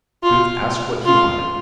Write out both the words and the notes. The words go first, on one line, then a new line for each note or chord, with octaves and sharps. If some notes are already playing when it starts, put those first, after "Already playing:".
Booth asked what he wanted!
F4
F4